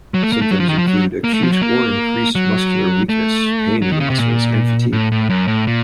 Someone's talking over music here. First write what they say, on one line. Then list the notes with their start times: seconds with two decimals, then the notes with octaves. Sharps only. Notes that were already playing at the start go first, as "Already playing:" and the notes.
Symptoms include acute or increased muscular weakness, pain in the muscles, and fatigue.
0.14 F#3
0.22 A3
0.33 A#3
0.42 A3
0.51 F#3
0.60 F3
0.69 D#3
0.78 F3
0.88 F#3
1.24 A#3
1.34 A3
1.43 F3
1.52 F#3
1.62 A#3
2.35 F#3
3.09 A3
3.82 F#3
3.91 D#3
4.00 C#3
4.10 C3
4.19 A#2
4.93 A2
5.12 A2
5.30 F#2
5.48 A2
5.67 A#2